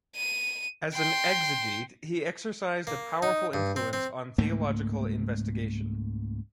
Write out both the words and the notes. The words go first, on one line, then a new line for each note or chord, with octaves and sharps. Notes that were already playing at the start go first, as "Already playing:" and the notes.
As an exegete he exercised a powerful influence on theological investigation.
D#7
G5 C6
A#3
D#4
G2
C4
C4
C#2 G#2 A3 A#3